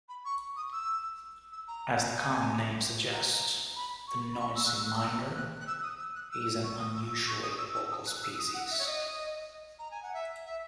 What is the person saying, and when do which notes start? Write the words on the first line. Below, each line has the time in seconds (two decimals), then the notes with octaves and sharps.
As the common name suggests, the noisy miner is an unusually vocal species.
0.09 B5
0.25 C#6
0.56 D#6
0.72 E6
1.52 E6
1.68 A#5
2.16 G#5
3.12 A#5
3.76 B5
4.07 C#6
4.33 B5
4.39 C#6
4.55 E6
4.65 F#6
4.75 E6
4.84 F#6
4.95 E6
5.35 F#6
5.60 F#6
5.67 E6
5.82 D#6
5.99 E6
6.15 F#6
6.31 E6
6.63 C#6
6.79 D#6
6.95 E6
7.10 E6
7.27 C#6
7.42 D#6
7.58 E6
7.74 E6
7.90 D#6
8.07 F#6
8.22 E6
8.38 D#6
8.54 F#5
8.71 E5
8.78 C#5
8.86 D#5
9.79 A#5
9.91 G#5
10.02 F#5
10.14 E5
10.45 E5